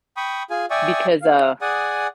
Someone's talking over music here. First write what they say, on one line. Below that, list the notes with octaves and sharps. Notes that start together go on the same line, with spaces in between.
Because, uh
G5 B5 C#6 D#6
F4 G#4 G#5
D5 E5 G5 G#5 C#6 D#6
F5
G#4 D5 F#5 G#5 D#6